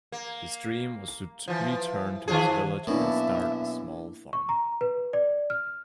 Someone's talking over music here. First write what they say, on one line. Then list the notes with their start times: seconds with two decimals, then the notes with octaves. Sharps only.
His dream was to return to his village and start a small farm.
0.12 A#3
1.48 E3 F3
2.28 D#3 F3 G#4
2.87 F#2 B2 A#3 D4 E4 E5
4.33 C#6
4.49 A#5
4.81 B4
5.13 D5
5.50 F6